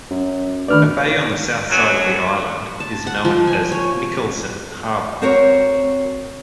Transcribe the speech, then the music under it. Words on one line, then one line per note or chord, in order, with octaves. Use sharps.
A bay on the south side of the island is known as Mikkelsen Harbor.
F#2
D2 D#3 F#4 B4 D5 F6
F#2 B2 F#3
A5
F#5
F3
G#5
C#5
C4 F#4 A#4 C5 C#5